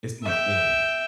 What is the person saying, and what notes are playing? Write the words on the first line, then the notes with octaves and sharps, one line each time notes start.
It's more feeling.
E5 G5